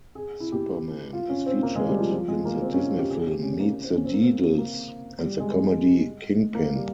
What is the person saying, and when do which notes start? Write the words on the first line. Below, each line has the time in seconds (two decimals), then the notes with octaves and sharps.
"Superman" is featured in the Disney film "Meet the Deedles" and the comedy "Kingpin".
0.15 G#4
0.40 E4
0.52 G4
1.13 F4
1.29 C#4
1.46 C4
1.63 A#3
1.76 G#3
1.88 G3
1.99 F3
2.12 F3
2.28 G#3
2.45 A#3
2.62 C4
2.74 C#4
2.86 F4
2.98 G4
3.11 G#4
3.26 G4
3.43 C#4
3.60 A#3
3.72 A#3
3.84 C4
3.96 C#4
4.05 C4
4.14 A#3
4.22 C4
4.58 A#3
5.24 G3
5.40 G#3
6.55 A#3
6.75 G3